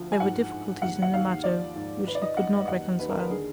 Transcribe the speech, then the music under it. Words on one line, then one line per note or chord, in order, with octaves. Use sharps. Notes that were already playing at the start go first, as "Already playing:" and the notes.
There were difficulties in the matter which he could not reconcile.
Already playing: D2 F3
G#5
G#2 F#5
G#2
D#2 F#5
F#5
D#2 F5
F3 D5
G#2
D#3 B4
D5
D#5
F#2 F#5
D#2 F#5
D#2 B4
A#4
B4
D3 G#4